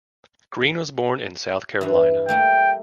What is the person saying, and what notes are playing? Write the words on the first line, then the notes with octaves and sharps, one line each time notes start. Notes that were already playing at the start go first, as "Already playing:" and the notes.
Green was born in South Carolina.
G2 E3
G3 A3 A#3 G5